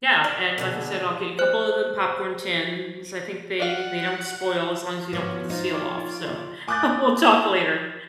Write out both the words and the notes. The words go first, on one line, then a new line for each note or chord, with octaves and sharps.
Yeah, and like I said, I'll get you a couple of them popcorn tins, I think they they don't spoil as long as you don't pull the seal off. So we'll talk later.
D5
B2 D3 G#3
C5 F#6
D5 F5 F#5
F3 B3 F#4 B4 C#5 D6
D#4 F4 C5
C#5 D5 D6
G#5 D6 D#6 F#6 G6 A6